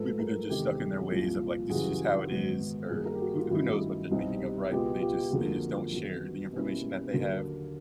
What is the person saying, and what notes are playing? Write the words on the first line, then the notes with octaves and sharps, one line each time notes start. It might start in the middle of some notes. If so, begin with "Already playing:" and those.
Maybe they're just stuck in their ways of like, "This is just how it is," er er who who knows what they're thinking of, right? They just they just don't share the information that they have.
Already playing: G#2 F3 A3 A4 B4
G#4 A#4
E2 C3 D#3 G#3 G4 A4
C2 A#2 F3
F#2 C#3 E3 G3 F#4 G#4
G#2 D#3 G#3 B3
G2 D#3 F#3 A#3 D#4 F#4 G#4
G#4 A#4
G4
F#4 G#4
F4 G4
G2 D#3 F#3 A3 C#4 E4 F#4
C2 B2 G3 C4 D#4
C#2 B2 G#3 B3 F4 G4
F4 G4
F2 D3 F#3 A#3 F#4 G#4
F#2 D#3 F#3 B3
B2 G3 A#3 C#4 E4
D#2 D3 F#3 A#3